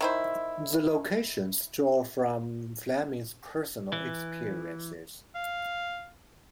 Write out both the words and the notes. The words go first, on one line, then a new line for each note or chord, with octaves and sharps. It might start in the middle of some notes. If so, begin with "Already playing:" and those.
The locations draw from Fleming's personal experiences.
D#3 E4 C5
E3
F5